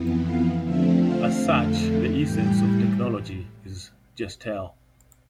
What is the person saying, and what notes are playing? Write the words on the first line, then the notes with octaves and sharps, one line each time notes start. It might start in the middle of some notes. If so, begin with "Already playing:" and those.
As such, the essence of technology is "Gestell".
Already playing: F2 E3 B3
F5
D3 F3 A3 C4 E5
F5
F2 D3 A3
A2 E3 G3 G5